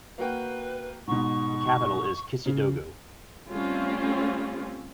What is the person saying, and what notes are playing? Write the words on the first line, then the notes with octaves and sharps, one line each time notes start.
The capital is Kissidougou.
A#3 F#4 B4 G5
G#2 B2 C#6
C#3
G3 A3 C4 C#4 F4